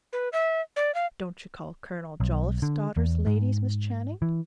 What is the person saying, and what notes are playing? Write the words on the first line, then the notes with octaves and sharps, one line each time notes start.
"Don't you call Colonel Jolliffe's daughters ladies, Miss Channing?"
B4
E5
D5
F5
B1
D3
E2
G#2
E3